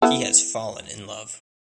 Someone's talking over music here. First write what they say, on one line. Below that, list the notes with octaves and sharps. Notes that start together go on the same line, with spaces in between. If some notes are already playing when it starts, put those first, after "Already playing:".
He has fallen in love.
B3 E4 A4